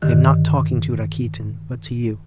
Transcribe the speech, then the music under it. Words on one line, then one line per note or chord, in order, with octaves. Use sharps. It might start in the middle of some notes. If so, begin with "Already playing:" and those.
I am not talking to Rakitin, but to you.
G2 D3 D#3 F#6